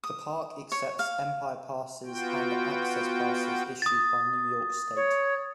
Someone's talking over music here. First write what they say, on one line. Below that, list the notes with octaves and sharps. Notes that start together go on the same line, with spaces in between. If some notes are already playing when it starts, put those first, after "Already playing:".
The park accepts Empire Passes and Access Passes issued by New York State.
D#6
C#5
F5
B3 F4 F#4 G5
D#6 A6
C#5